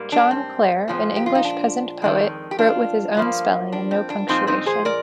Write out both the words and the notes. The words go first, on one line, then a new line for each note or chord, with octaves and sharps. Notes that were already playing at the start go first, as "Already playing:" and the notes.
John Clare, an English peasant poet, wrote with his own spelling and no punctuation.
Already playing: G#2 G3 A#3
D4
C4
A#2 F3 G#3
G4
F4
D#4
D4
F2 D#3 G#3
G4
D4 F4
G2 F3 A#3
D4
C4
D4
A#2 F3 G#3 C4 D#4
C4 D#4
G#4 C5
A#4 D5